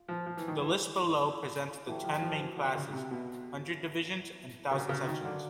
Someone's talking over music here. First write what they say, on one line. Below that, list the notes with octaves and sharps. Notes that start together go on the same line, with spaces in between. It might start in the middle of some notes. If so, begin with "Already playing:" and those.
The list below presents the ten main classes, hundred divisions, and thousand sections.
Already playing: F4
F3
F3
E3
D#3
E3
E3 F#3 A3 D4 G4
F3
F3
E3
D3
C#3
C3
B2
C#3 F#3 A#3 D4
C#3
D#3
D3